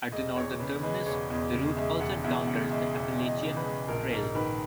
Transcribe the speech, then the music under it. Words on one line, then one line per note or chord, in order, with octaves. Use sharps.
At the northern terminus, the route also encounters the Appalachian Trail.
E1 D#5
E2 C#5
C#3 B4
G#3 B4
E1 C#5
E2 D#5
C#3
G#3 E5
E1 F#5
E2 E5
C#3 F#5
G#3 E5
E1 E5
E2
D#5
C#3
B4
G#3
A#1 A#4
G#2
D#3 B4